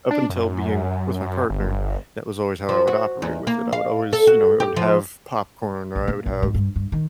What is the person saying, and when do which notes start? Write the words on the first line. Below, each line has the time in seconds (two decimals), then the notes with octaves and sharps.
up until being with my partner, that was always how I would operate with it. I would always, you know, I would have popcorn, or I would have,
0.11 D4
0.30 F#2
1.50 G1
2.69 F3
2.87 F#4
3.22 E2
3.47 A#3
3.73 F5
4.13 A4
4.27 F#4
4.60 G4
4.76 F3
5.96 A#1
6.08 A#3
6.26 A#1
6.43 G#2
6.54 G2
6.76 G2
6.92 D#3